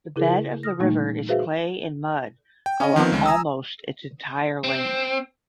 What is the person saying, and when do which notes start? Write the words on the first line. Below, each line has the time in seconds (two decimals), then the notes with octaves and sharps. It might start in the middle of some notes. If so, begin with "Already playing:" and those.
The bed of the river is clay and mud along almost its entire length.
0.16 C#3 E4 G#4 A#4
0.63 D#6 F6 A#6
0.79 A#2 E3 G3 A3 A#3 D#4
1.29 F#4 G#4 B4 C5 E5 F5
2.66 G5
2.80 C#4 D#5
2.96 D#3 F3 B3 C4
3.12 D2 C#3 G#3
3.26 G#5 A#5 D#6 E6
4.64 C4